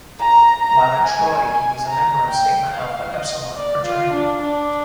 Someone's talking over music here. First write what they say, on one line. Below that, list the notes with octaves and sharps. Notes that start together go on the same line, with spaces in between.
While at Troy, he was a member of Sigma Alpha Epsilon fraternity.
A#5
A#5
G#5
G#5
A#5
G5
F5
D#5
D5
F4
D4
D4